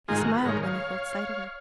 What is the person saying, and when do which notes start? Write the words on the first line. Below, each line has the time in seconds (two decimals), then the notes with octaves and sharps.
He smiled when he caught sight of her.
0.08 G#2 D#3 G#3 D#4 F4 G#4
0.20 F#4 A#4
0.37 B4
0.45 G#2 D#3 G#3 D#4 A#4 C#5
0.63 C#5 F5